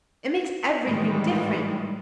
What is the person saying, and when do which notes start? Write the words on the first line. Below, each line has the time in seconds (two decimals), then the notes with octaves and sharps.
It makes everything different.
0.85 A2 D#3 E3 G3 G#3